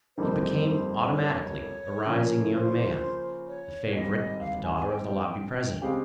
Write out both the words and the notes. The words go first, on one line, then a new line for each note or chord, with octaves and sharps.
He became automatically a rising young man, the favorite of the daughter of the Lobby president.
G1 F2 D#3 G3 A#3 C5
C#5
C#3 F3 A#3 C#4
C5
C#5
G#1 G#2 G3 D#5
F5
G#5
G#5
G5
C#3 G#3 C4 G4 F5